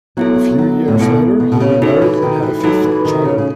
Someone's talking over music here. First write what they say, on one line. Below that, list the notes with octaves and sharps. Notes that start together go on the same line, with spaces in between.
A few years later he remarried and had a fifth child.
F#3 B3 E4 A4
F#3
A2
B2 B3 E4 A4
B2
B2
C#3
C#3 D#4 F#4 A4
E3
D#3
E3
F#3 D#4 F#4 A4
E3
D#3
C#3
C#3